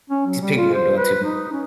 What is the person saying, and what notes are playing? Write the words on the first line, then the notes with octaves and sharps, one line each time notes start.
These people are doing too much.
C#4
F#3
G3
F4
C5
B4
D#4
C#4